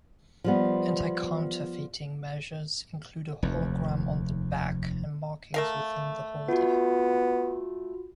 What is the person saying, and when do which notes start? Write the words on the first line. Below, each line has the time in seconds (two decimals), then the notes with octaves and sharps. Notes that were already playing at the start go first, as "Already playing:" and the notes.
Anti-counterfeiting measures include a hologram on the back and markings within the holder.
0.44 F3 G3 B3
3.43 F1 D#2
5.54 A3 A#4 F5
6.49 B3 F4 F#4